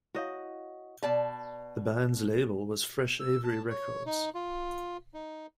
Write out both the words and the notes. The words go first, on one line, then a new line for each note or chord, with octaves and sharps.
The band's label was Fresh Avery Records.
E4 F#4 C#5 D#5 F5
B2 D5 A5
E6
A5
C#5
D#4
F4
D#4